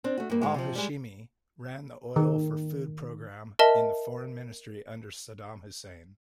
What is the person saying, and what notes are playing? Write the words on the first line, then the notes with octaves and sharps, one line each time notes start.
Al-Hashimi ran the oil for food programme in the Foreign Ministry under Saddam Hussein.
C4 D4
A3 F#4
G2 A#3
G#2 G#3
C3 F3
G3 G#3
D#3
A#4 D#5 E5 A5